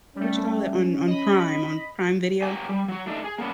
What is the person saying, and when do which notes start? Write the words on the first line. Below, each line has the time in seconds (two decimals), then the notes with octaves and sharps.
what you call it? On on Prime on Prime Video.
0.16 G3 A3 C#4
1.07 D#5 B5
2.42 F#3 G4 G#5
2.69 G3
2.88 F#3 F#4
3.07 A3 D4 D#4
3.24 G#4
3.38 A#3 B3 C#4 D4